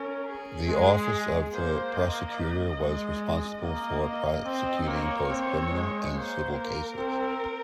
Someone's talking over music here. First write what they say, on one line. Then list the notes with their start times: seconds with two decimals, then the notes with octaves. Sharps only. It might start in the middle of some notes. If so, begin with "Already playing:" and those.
The Office of the Prosecutor was responsible for prosecuting both criminal and civil cases.
Already playing: C#4 A#4
0.27 G#4
0.68 G#3
1.52 A#3 C5
1.94 D#5
2.78 G#3
3.19 D#5
3.62 A#3 D#5
4.04 D#5
4.45 C4 D#5
4.87 A#3 C#5
5.29 C4
5.71 G#3
6.12 A#3 C5
6.55 A#4
6.96 C4 A#4